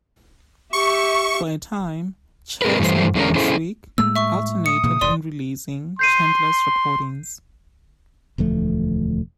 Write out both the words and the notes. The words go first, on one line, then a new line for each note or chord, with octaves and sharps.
For a time, Chess and Brunswick alternated in releasing Chandler's recordings.
G4 E5 C#6
C4 G#4 A#4 B4
G2 E3 G3 A3 C5
E2 G#3 C#4 D4 A#4 A#5
C#4 E4 G#4 A4 C5
A2 G#3 A#3 E6
E5 C#6
D#6 C#7
A#2 C#3 E3
F1 G#2 D5 C6 D#7
C6 G6 C7 D#7
E1 D2 F3 A3